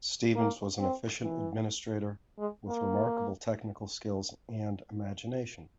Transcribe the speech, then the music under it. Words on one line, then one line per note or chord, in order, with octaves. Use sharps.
Stevens was an efficient administrator with remarkable technical skills and imagination.
A#3
C4
E3
G#3
A#3